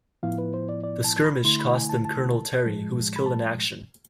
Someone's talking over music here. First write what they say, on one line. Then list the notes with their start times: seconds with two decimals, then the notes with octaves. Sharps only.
The skirmish cost them Colonel Terry, who was killed in action.
0.23 A2 F3 B3 E4 F5
0.38 B4
0.54 C5
0.69 D5
0.83 D5
1.04 A5
1.24 B5
1.44 D3 A3 E4 C6
1.59 B5
1.74 G#5
1.89 A5
2.05 A5
2.66 A2 F3 G#3
3.16 B5
3.26 A5